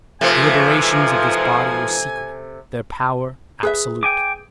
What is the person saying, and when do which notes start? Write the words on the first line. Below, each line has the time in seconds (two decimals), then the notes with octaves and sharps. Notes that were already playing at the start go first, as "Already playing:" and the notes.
The deliberations of this body were secret, their power absolute.
0.21 G#2 C3 E3 F3 A3 G#5
3.63 G#4 B4 E5
4.03 G5 G#5 D6